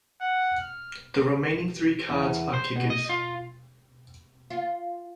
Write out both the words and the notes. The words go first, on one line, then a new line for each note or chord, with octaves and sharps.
The remaining three cards are kickers.
F#5
F6
E2
C5
B2
D#5
F4
F4